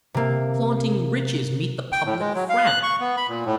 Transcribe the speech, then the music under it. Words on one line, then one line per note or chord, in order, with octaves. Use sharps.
Flaunting riches meet the public frown.
C3 A#3
G5
A2
G#3
F#3
F5
F#6
C#6
B3
B5
A#2
A2